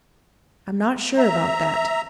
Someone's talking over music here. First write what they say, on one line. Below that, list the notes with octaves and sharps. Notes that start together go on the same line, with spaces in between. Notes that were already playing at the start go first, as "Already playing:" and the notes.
"I'm not sure about that."
E5 A#5